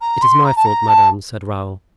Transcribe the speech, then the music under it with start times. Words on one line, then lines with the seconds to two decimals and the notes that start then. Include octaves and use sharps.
"It is my fault, madame," said Raoul.
0.01 A#5
0.22 C6
0.44 A#5
0.56 A5
0.65 A#5
0.88 A5